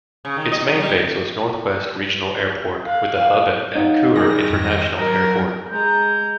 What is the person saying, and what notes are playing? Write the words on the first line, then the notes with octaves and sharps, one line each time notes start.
Its main base was Northwest Regional Airport with a hub at Vancouver International Airport.
C#3
D#3
D#5
F#3
G3
F5 F#6
D#4 C#5 F5 F#5
D#3 G3 G#4 G#5 A#6
F2 G#2
F#3 A#4 A#6
G#3 A#5 G6